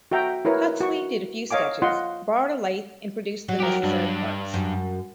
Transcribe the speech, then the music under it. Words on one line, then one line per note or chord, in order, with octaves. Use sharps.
Huxley did a few sketches, borrowed a lathe and produced the necessary parts.
F#4 E5 G5 A#5
E4 A#4 B4 C#5
F#4 C#6
C#5 D#5 F5 G#5 D6
F4 D#5 F#5 C6
F#3
G4 A#4
G2 D4
F#2